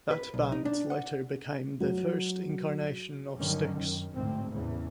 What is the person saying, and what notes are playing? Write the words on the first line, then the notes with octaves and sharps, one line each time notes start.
That band later became the first incarnation of Styx.
B4
B1
D#4
D4
F#5
F#3
G2 D3 D#3 F#3 C#4
F#2 D#3
G#1 D2 A2 A3 C4
E2 A2 C#3 E3